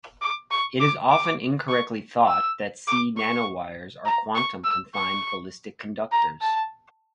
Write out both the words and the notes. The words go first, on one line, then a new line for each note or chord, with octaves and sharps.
It is often incorrectly thought that Si nanowires are quantum confined ballistic conductors.
D6
C#6
D6
D6
C#6
E6
D6
C#6
A#5
C#6
E6
C#6
A#5
A5